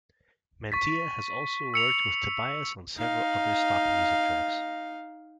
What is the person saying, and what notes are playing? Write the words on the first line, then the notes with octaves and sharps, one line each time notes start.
Mantia has also worked with Tobias on several other stock music tracks.
C#6 A6 B6
E6 C#7 F7
D#4 F5